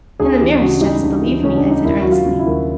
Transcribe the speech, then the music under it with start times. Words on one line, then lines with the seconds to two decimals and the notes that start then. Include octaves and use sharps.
"In the merest jest, believe me!" I said earnestly.
0.19 D2 G#4
0.41 E3 G4
0.61 C#3 F#4
0.81 G3 D#4
1.02 D2
1.23 E3
1.43 C#3 C#4
1.57 D4
1.64 G3
1.70 D#4
1.84 D#2 E4
2.01 F#3 F#4
2.11 F4
2.26 C#3
2.39 E4
2.46 D#2